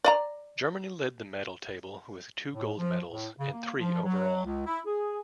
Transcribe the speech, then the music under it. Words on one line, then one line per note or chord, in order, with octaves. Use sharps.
Germany led the medal table with two gold medals, and three overall.
D5 D#5 A#5
A2
F3
A2
C#3
A#3
F3
F#3
C#2
E4
G#4